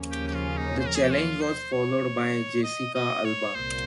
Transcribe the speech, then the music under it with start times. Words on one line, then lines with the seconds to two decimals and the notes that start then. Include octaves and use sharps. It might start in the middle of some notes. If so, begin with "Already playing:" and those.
The challenge was followed by Jessica Alba.
Already playing: D#2 C#3 F3 A#3 C#4
0.12 G4
0.28 G4
0.35 F4
0.58 D#4
0.80 C5
0.87 A#4
0.96 G#4
1.03 G4
1.12 F4
1.42 C5
1.73 C#5
2.64 D#5
2.95 D#5
3.25 C#5
3.55 C2 A#2 C5